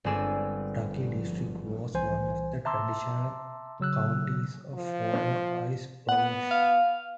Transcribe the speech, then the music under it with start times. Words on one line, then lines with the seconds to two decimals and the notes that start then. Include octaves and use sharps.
Taki District was one of the traditional counties of former Ise Province.
0.04 G1 G#3 C4 G#4 D5 E6
1.94 C2 E3 C5 G#5
2.65 E5 A5 A#5 C6 D6 E6
3.80 C#3 F#3 E6 F#6
4.74 F3
6.09 B3 F#5
6.51 F5